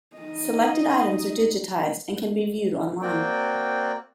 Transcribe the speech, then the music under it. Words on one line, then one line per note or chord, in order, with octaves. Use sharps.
Selected items are digitized and can be viewed online.
D#4 D#5
A#3 C4 F#4 D5 G5